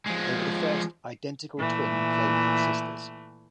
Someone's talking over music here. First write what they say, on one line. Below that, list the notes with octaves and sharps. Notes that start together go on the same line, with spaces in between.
They were the first identical twin Playmate sisters.
F3 G#3
A#2 E3 A3